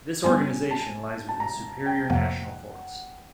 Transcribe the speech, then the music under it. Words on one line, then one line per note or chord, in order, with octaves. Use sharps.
This organization lies within Superior National Forest.
G2 D3 G3 B3 G#5
A5
A5
A#5
G5
F2 C3 F3 A#3 F#5